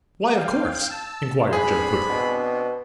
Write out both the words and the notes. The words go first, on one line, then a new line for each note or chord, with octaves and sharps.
"Why 'of course'?" inquired Joe quickly.
F5 G5
A5 E6
B3 C4 D4 G#4 B5
B2